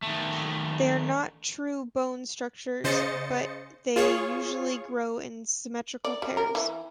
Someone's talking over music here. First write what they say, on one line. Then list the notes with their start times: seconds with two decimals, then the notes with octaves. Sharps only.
They are not true bone structures but they usually grow in symmetrical pairs.
0.03 D#3 A3
2.84 C#3 C5 D#5 A6 C#7
3.96 F4 G#4 C#5 C#6
6.05 D5
6.22 G3
6.37 A#4
6.55 E3